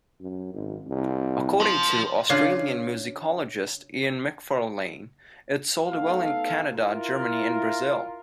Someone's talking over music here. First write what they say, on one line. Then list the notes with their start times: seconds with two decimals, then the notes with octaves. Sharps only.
According to Australian musicologist, Ian McFarlane, it sold well in Canada, Germany and Brazil.
0.21 F#2
0.54 G#1
0.89 C2
1.60 F3
2.30 C#3 D4 F4
5.88 A3 B3 D#4 A4 F5
6.74 E4 F4 A#4